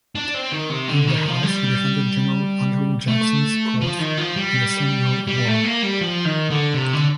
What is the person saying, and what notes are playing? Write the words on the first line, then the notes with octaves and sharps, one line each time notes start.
In the House, he defended General Andrew Jackson's course in the Seminole War.
D4
C4
D#3
C3
D3
D#3
F3
G3
A3
F3
D#3
F3
G3
G3
A3
A#3
G3
F3
D#3
D3
C3
D3